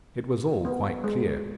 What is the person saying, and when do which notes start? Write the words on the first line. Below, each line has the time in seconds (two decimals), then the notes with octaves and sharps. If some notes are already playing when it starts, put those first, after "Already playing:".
It was all quite clear.
0.65 B3
1.04 G#3